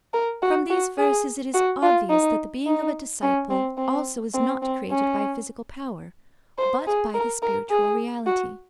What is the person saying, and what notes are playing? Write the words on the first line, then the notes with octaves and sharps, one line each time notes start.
From these verses it is obvious that the being of a disciple also is not created by physical power, but by the spiritual reality.
A#4
F#4
F#4
G#4
F#4
F4
D#4
D#4
C#4
C4
C4
C4
C4
C#4
C5
G#4
A#4
A#4
G#4
F#4